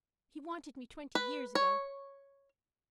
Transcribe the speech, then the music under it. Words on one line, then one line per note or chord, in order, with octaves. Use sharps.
He wanted me twenty years ago.
B4
C#5